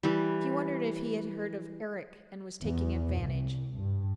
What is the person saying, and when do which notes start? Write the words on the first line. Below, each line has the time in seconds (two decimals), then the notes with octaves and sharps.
She wondered if he had heard of Erik, and was taking advantage.
0.03 E3 G3
2.61 E2
3.20 C2
3.76 G2